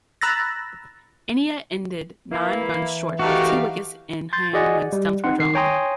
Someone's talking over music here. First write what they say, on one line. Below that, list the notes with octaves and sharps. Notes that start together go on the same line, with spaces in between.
India ended nine runs short with two wickets in hand when stumps were drawn.
A#5 B5 E6 F#6 A6 A#6
E3 A#3 E4
A3 D#4 F#4 G4 A#4 F5
C6 G6 A6
F#4 G#4 D5 D#5 F#5 G#5
G3
C4 D#4 F#5 C6
D#3 C7
C#5 G5 G#5 A#5 C6 D#6